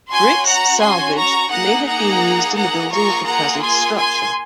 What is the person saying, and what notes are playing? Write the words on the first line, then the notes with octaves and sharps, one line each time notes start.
Bricks salvaged may have been used in the building of the present structure.
C#4 F#4 G#5 C6
F#5 A#5
G#5 C6
A#5 C#6
A#3 D#4 G#4 F#5 A#5
F#5 A#5
F#5 A#5
A#3 F4 G#4 A#5 C#6
F#5 A#5
G#5 C6
G#5 C6